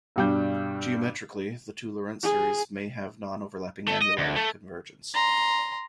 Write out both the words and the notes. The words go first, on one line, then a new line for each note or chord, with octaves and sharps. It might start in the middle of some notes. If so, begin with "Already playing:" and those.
Geometrically, the two Laurent series may have non-overlapping annuli of convergence.
G2 B2 G3 D4 G6
G#4
A3
D#5
D2
A3
A#5 C6